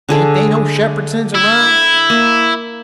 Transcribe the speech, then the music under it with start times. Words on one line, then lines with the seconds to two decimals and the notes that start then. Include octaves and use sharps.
"Ain't they no Shepherdsons around?"
0.09 D3 G#4 A4
1.35 E4
2.10 A#3